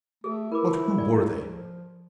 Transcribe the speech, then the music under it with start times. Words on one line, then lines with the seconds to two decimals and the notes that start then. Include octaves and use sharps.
But who were they?
0.24 A3 G#4 A4
0.52 E4 A#4 B4 D6
0.98 D5 G#5
1.41 F3